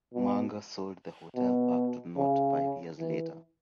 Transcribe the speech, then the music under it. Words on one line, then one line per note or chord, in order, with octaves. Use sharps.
Manger sold the hotel back to Knott five years later.
B2
B2
C#3
E3